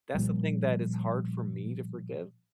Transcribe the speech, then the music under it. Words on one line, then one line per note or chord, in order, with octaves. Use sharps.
that's the thing that is hard for me to forgive
A#2 F3 G3